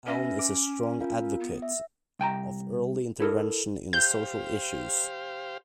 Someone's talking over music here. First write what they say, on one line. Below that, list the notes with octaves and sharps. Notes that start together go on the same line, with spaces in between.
Allen is a strong advocate of early intervention in social issues.
C#4 B4 E5 A#6
D6 D7
F4 A#4 F5
B3
E5
C2 G5 G#5 A#5
E4 A4 A#4
G4 C5 F5 G6